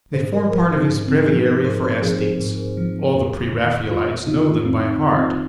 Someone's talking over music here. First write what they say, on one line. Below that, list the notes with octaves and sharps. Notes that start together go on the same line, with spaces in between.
They form part of his "Breviary for Aesthetes"; all the Pre-Raphaelites know them by heart.
G#2 C5
A#4
F3 A#4
D#4
G#2
C4
F3 G#4
A#4
G#2 C5
C5
F3 G#4
G#4
G#2
F3
F2
D#3
F2 F4
D#3 D#4
F2 C4
D#3
C4